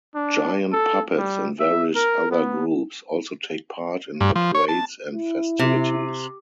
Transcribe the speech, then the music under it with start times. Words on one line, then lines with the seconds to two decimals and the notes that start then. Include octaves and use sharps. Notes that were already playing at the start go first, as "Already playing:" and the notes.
Giant puppets and various other groups also take part in the parades and festivities.
0.15 D4
0.72 A4
1.17 G3
1.60 E5
1.95 A#4
2.31 B3
4.21 G2
4.36 F3
4.55 C#5
4.68 A5
5.12 E4
5.59 C3